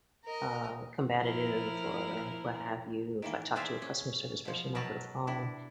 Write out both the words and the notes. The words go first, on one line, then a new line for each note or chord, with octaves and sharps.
uh, combative or what have you if I talk to a customer service person over the phone,
A#4 D#5
F3 E4 A#4
D#3 E3 A#3
G#4 C5 D5 E5 F5
C#4
B2 F3
B2 F#3 B3 A#4 A5
D4 E4